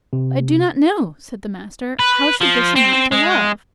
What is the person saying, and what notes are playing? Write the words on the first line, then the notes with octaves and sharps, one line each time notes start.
I do not know, said the Master: how should this amount to love?
C3
B4
F3
C4
G#3